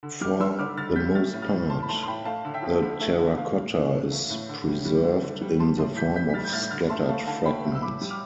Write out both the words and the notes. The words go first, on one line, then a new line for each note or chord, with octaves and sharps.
For the most part, the terracotta is preserved in the form of scattered fragments.
D3
G3 D6 F6
G3 C6 E6
D3 D6 F6
D3 F6 A6
G3 G6 B6
A3 F6 A6
A2
F6 A6
E3
A2 A5 C6
B5
A3 A5 C6
C6
A2 G5 B5
A3 F5 A5
D3
E5 G5
F3
D3
A3
D3
A3 F5
A2
E3
A2
A3
A2
D3
G3
G3
D3
D3
G3
G3 A5 C6
A2 A5 C6
E3 G6 B6
A2 G6 B6
B6
G3 F6 A6
G6
A2 F6 A6
G6
D3 F6 A6
A3 A5 C6
A3 F5 A5
D3 F5 A5
D3 G5 B5
A3
E6
A2 B5 D6
G3
D6 F6